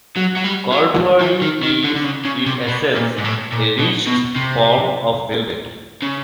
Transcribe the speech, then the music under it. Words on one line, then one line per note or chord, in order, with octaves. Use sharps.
Corduroy is, in essence, a ridged form of velvet.
F#3
F#3
G3
F#3
E3
D#3
D#3
D3
D3
C#3
C#3
C3
B2
A#2
G#2
A2
A#2
B2
B2
C3
C#3